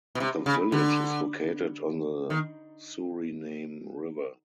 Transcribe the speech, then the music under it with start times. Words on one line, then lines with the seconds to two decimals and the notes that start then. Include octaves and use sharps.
The village is located on the Suriname River.
0.15 B2
0.20 C3
0.46 C#3
0.72 D3
2.30 D#3